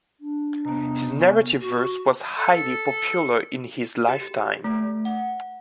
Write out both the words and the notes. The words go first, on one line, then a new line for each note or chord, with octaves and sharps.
His narrative verse was highly popular in his lifetime.
D4
C3 B3 D#4
B3 C#4
F#4
A4
G4
A3
F#5